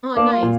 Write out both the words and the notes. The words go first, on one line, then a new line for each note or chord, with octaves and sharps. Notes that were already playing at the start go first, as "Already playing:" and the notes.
Oh, nice.
A#3 D4
F4
A#2